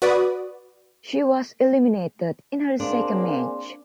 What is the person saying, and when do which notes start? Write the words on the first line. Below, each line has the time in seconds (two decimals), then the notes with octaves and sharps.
She was eliminated in her second match.
0.02 F#4 B4 D5 D#6
2.80 A#3 C4 D4 G#4 D5 F5 C6